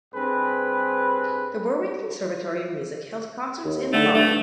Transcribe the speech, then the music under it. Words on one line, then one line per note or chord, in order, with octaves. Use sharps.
The Berwyn Conservatory of Music held concerts in the lobby.
G2 C4 G#4 B4
D#2
D3 A3
G2 A3